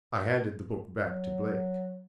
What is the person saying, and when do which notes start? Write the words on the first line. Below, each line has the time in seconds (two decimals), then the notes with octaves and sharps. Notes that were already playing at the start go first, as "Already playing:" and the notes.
I handed the book back to Blake.
1.07 F#3